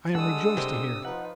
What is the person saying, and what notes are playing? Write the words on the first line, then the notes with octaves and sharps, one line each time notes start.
I am rejoiced to hear it.
G3 G#3 D4 A4 F#5 D#6 E6
C3 C5
F3 D#4 B4 F#5